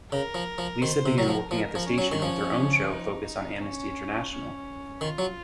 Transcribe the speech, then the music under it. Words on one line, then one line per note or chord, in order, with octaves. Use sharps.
Lisa began working at the station with her own show focused on Amnesty International.
C#3 A#4
F3
F3
D#3 C5
C3
F#3 A#4
F3
F3 A#4
F3
C#4
F#3
D#3
F3 C#4
D#4
C#4
C#4
D#3 F4
F#3